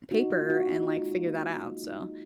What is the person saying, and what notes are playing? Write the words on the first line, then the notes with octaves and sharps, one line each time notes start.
paper and, like, figure that out." So
D#4 F#4
F4
A#3
F#4
D#4 F#4
F4
G#3 F4
D#4
A#3 G#4
F#3
D#4